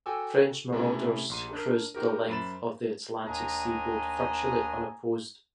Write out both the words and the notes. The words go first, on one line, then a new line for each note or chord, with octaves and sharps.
French marauders cruised the length of the Atlantic seaboard virtually unopposed.
F#4 A4 G5 G#5 D6 E6
C3 A3 C#4 E4
A#1 C6 D#7
D4 A#4
D#4 F#4 G4 A#4
F#2 C5 B5 A6 E7
D#2 D4 D#5 G#5 A#5